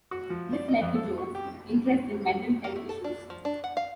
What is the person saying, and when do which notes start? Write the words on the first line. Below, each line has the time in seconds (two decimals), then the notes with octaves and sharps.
This led to Jones' interest in mental health issues.
0.11 F#4
0.30 F3
0.53 D5
0.68 D#5
0.81 F2
0.95 A4
1.18 C#6
1.35 G4
2.64 A#3
2.76 A3
2.89 A4
3.04 D4
3.30 F3
3.45 D4
3.64 F#5
3.77 F5